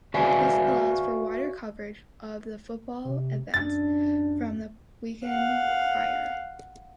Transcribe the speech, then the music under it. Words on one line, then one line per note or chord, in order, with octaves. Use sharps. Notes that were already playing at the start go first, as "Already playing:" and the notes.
This allowed for wider coverage of the football events from the weekend prior.
F#4 B4 D5 E5 F5 G#5
C3
F#2 D4 A6
F5 F#5